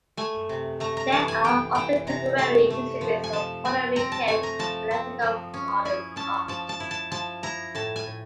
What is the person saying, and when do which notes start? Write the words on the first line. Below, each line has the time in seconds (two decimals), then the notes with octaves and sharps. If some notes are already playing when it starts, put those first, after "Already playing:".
There are often temporary exhibits on Puerto Rican and Latino modern art.
0.17 A3 G#5
0.49 C3
0.80 A3 A#5
0.97 A#5
1.12 E3 A5
1.28 G#5
1.44 E3 G5
1.75 E3 G5
2.07 C3 A#5
2.38 A3 A5
2.70 A3
3.01 F3
3.24 G#5
3.33 F3 A5
3.65 C4 G#5
3.96 C4 A#5
4.12 A5
4.27 A3 G#5
4.43 A#5
4.59 F3 A5
4.91 C4
5.22 F3
5.54 C#4
5.85 E4 G#5
6.16 C#4 A5
6.48 F3 A5
6.69 A5
6.80 E4
6.91 A5
7.12 F3 A5
7.43 E4 A#5
7.75 A2 A5
7.96 G#5
8.06 A2